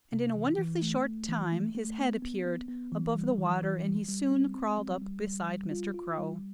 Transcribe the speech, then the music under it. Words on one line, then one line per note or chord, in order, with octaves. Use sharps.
And in a wonderfully short time his head appeared above the water and he soon crawled up beside Mr. Crow.
C3
E3
E3
A3
A3
E3
A3
A3
B3
B3
B3
B3
E3
G3
E3
E3
G3
G3
C4
C4
G3
G3
G3
G3
F4
F4
G3